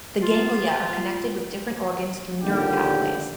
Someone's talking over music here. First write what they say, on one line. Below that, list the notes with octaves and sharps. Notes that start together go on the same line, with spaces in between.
The ganglia are connected with different organs through nerve pathways.
F4
A#1 D#2 D3 G4